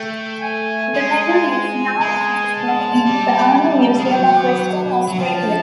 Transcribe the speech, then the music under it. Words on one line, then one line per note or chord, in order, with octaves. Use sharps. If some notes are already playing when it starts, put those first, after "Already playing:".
The medal is now on display in the Army Museum of Western Australia.
Already playing: A3 G5
G#5
G#3
G#5
G#3
A5
G3
A5
G#3
G3
F#3 G5
F#3
F3 A5